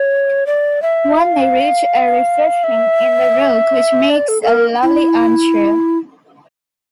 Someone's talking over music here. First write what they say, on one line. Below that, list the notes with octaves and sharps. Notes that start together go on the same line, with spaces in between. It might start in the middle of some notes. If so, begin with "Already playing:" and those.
One may reach a recession in the rock which makes a lovely armchair.
Already playing: C#5
D5
E5
F5
E5
D5
A4
A4
A#4
E4